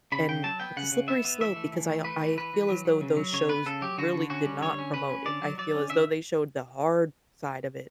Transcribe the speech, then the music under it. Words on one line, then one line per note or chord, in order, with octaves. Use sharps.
And it's a slippery slope because I I feel as though those shows really did not promote it. I feel as though they showed the hard side of it.
C#3 B5
C#3 G5
F#3 A5
B3 G5
C#3 F#5
C#3
B3 E5
B3
E3 E5
A3
E3
A3
A3 B4
E3
E3 B4
E3
F#3
F#3
C#3
F#3
C#3 C#5
B3 B4
C#3 A4
F#3 G4
D3 F#4
D3
C#4 F#4
G3
D3 C#5
C#4
C#4 B4
C#4
D3 D5
F#3
F#3 D5
C#4
D3 E5